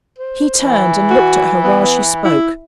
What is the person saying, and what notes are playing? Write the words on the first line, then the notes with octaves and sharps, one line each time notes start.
He turned and looked at her while she spoke.
C5
E3
F#4
B3
E4